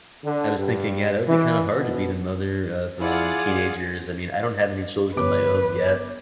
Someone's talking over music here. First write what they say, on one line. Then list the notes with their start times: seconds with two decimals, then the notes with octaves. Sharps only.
I was thinking, yeah, that would be kinda hard to be the mother of, um, teenagers. I mean, I don't have any children of my own yet;
0.23 D3
0.57 G2
1.26 E3
1.74 B2
3.01 E4 F4 G#4 D5 F#5
5.16 G1 B4 C#5 D6